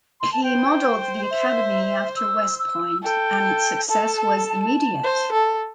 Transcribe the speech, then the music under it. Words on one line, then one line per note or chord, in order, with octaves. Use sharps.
He modeled the academy after West Point and its success was immediate.
C6
A5
C5 G5
E5
E6
E6
A4 G5
A4 A5
C5
A4